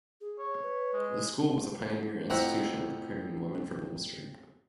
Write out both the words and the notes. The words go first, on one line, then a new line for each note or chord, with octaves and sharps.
The school was a pioneer institution in preparing women for ministry.
G#4
C#5
B4
G#3
F2 A2 C4 E5 F#5 A#5